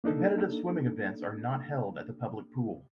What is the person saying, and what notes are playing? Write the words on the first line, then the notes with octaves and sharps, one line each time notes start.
Competitive swimming events are not held at the public pool.
A#3 D4 D#4 A4